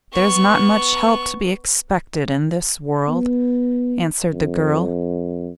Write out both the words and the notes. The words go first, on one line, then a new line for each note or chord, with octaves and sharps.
'There's not much help to be expected in this world,' answered the girl.
B3 C#6
B3
F2